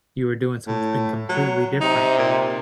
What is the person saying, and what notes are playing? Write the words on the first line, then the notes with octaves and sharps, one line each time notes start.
you were doing something completely different,
A2
F#3
C3 D#4
A#2